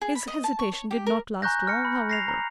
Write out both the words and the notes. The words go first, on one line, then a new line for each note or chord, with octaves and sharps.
His hesitation did not last long, however.
G#4
B5
D#5
A5
C#6
C#5
G4
A#4
G#5 A#5 C#6 F#6 G6 A#6
F6 A#6 C#7
B5
A#6 C7 F7
A#5